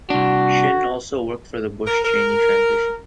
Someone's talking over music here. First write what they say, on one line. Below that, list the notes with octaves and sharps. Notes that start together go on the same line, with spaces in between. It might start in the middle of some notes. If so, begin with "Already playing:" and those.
Shin also worked for the Bush-Cheney transition.
C2 D4 F#4
A#4
A#4